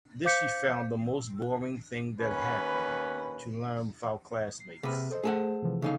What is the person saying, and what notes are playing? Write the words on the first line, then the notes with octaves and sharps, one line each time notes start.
This she found the most boring thing that happened, to learn without classmates.
C5 F5 D6 G6 B6 C#7
D#2 C#4 B4
C7
C3 G#4 B4 F6
A4 C5 D#5
A3 G#4 A4 C5 F#5
C3 E3 F3
C#3 D#4 A4 F5